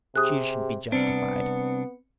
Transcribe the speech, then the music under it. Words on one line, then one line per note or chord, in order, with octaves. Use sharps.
She should be justified.
C3 G4 G#4 D#6 F#6
C2 B3 C4 D4 C#7